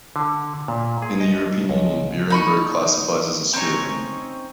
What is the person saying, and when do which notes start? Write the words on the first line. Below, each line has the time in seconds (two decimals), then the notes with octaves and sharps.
In the European Union, Beerenburg classifies as a spirit drink.
0.16 D3
0.68 A#2
1.02 G#4
1.20 D#5
1.70 C#2
2.30 D#4 B5 C#6
3.53 C4 C#4 D#4 C#5